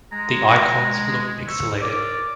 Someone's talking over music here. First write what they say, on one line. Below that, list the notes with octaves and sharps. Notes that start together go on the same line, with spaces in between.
The icons look pixelated.
G#3 A#5
C#6 E6
A#4 C#5 D5 D6